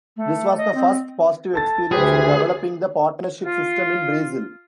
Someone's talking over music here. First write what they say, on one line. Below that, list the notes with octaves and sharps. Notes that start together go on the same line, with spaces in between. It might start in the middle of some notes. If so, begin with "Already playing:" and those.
This was the first positive experience in developing the partnership system in Brazil.
A3
D#5
C4
A4 A5 A6
D2 G4 G#4 B4 C5
F4